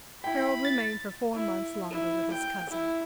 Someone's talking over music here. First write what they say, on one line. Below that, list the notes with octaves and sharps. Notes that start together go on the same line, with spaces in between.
Harold remained for four months longer with his cousin.
E4 G5 B5
A6
E4
E4
G5
E4